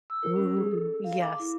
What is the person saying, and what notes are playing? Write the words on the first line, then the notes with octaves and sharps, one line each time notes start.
Ooh, yes.
E6
A#4
C#4
G#4
A4
F5
D6
E4